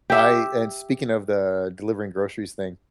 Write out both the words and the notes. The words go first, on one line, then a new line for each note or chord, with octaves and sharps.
I and speaking of the delivering groceries thing,
G4 E5